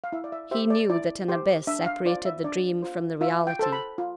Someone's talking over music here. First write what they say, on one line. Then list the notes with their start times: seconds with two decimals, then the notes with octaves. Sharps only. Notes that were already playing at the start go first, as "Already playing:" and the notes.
He knew that an abyss separated the dream from the reality.
0.04 F5
0.12 E4 E5
0.24 D5
0.32 E5
0.51 G4 C5 E5
0.70 D5
0.90 E4 D5
1.28 G4 C5
1.67 D4 E5
1.86 F5
2.05 F4 C5 D5
2.25 E5
2.44 D4 D5
2.82 F4 C5
3.21 F4 E5
3.47 G5
3.59 A4 C5 A5
3.72 B5
3.98 F4